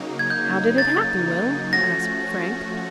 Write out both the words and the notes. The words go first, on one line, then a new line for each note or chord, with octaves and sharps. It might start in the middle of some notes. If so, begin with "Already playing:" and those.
"How did it happen, Will?" asked Frank.
Already playing: C#3 F#3 A#3 D#4
G#6
G6
A6
F3 A3 C#4 F#4 A#6